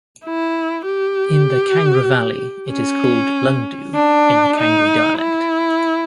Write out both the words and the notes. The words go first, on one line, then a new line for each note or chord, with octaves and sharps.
In the Kangra Valley it is called "lungdu" in the Kangri dialect.
E4
G4
C#4
D4
D#4
E4